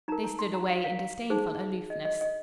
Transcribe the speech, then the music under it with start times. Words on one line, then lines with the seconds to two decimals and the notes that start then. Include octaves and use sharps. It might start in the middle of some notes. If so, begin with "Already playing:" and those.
They stood away in disdainful aloofness.
0.08 D#4 A#5
0.12 A#4
0.24 A#5
0.39 C6
0.54 A#5
0.70 F5
0.84 F5
0.99 F5
1.30 D#4 G#4 C5
1.90 D#5
2.05 D#5
2.21 D#5